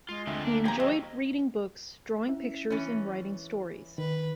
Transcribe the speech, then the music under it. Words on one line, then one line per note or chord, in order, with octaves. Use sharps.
He enjoyed reading books, drawing pictures, and writing stories.
G#3 F4 C7
D2 D3 A3 C4 F4 E5
A#3 D4
F3 G4 G#4 G5 A#5
C4 D#5 F5 C#6 E6
C#4 E4 E5
E3 C#4 A6
D#3 B4